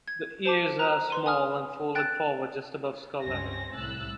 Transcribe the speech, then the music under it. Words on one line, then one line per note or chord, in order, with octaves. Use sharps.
The ears are small and folded forward just above skull level.
G#6
C5 A5 D6
A#5 F#6
B4 C6 D#7
G#5 D#6 F6
G5 F#6 A6 D7
C#2 G2 C4 C#4 A#6
C2 A2 E6 F#6 A6